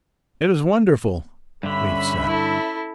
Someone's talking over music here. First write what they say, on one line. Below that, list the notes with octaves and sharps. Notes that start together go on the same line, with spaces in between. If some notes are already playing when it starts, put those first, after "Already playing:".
"It is wonderful," Leif said.
G2 D3 C#4 E5 B5
E4 A4